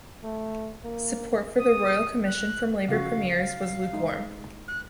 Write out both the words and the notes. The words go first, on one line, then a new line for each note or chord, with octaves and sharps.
Support for the royal commission from Labor premiers was "lukewarm".
A3
A#3
D#6
F#6
C#3 F3 F#4 F5
G#3 D#4
F#6